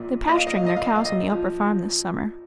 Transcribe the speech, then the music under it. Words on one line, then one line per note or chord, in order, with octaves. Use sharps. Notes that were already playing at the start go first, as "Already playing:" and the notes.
They're pasturing their cows on the upper farm this summer.
Already playing: A#1 A#2
A#2 D#5
F5
D#5
F5
A#1 D#5
F5
D#5
A#1 F5
D#5
F3
F3